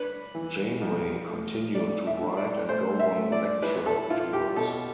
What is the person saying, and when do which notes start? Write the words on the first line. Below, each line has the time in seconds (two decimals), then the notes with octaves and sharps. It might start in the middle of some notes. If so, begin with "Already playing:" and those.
Janeway continued to write and go on lecture tours.
Already playing: D4 B4
0.35 E3
0.81 F2
1.28 A3
1.75 A3 D5
2.07 E5
2.22 D4
2.37 D5
2.69 A3 C5
3.00 E5
3.15 A3
3.32 D5
3.62 E4 B4
3.86 A4
4.10 E4 F4
4.33 G4
4.56 B2 A4